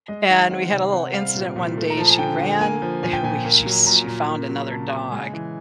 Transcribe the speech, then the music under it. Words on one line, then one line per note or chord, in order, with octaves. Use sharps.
and we had a little incident one day, she ran we, she she found another dog,
G#3 D#5
D#3 F5
C4 F#5
C3
C4 F#5
G3 F5
A#2
A#2
A3
A#5
F3 A5
G#5
D3 G5
D3
A#3 G#5
F3
A#2 G#5
G5
A#2 G#5
A#3
F#3
A#2 A#5
A#2
A#3
F#3
C#3 A5
C#3
G#3 G#5
E3